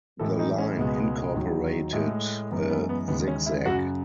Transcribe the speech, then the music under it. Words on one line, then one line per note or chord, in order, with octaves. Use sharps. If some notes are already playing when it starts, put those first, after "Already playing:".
The line incorporated a zig zag.
A2 E3 G#3 A4
D#4
C#4
C#2 B2 G#3 B3
D#2 D#3 F#3
A2 G#3 A3
F#2 E3 G#3 B3
B3
B3
D#2 C#3 E3 G#3 B3
C#4
E4
F#2 C#3 F#3 F#4